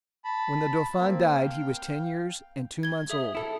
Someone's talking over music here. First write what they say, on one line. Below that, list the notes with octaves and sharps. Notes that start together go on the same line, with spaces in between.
When the dauphin died he was ten years and two months old.
A5 B5
A#3 C4
F5 G5
G#6 G7
G#4 E5 D#6
E4 A4